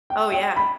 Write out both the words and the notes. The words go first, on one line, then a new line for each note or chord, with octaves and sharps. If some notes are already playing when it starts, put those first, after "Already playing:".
Oh, yeah.
G5
G5
B5